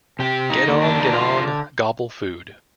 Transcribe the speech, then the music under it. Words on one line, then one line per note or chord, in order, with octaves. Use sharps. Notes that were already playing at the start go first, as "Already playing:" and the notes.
Get on, get on, gobble food!
C3 G4
D#4
D#3 A#3
D4
D#4
D3 F4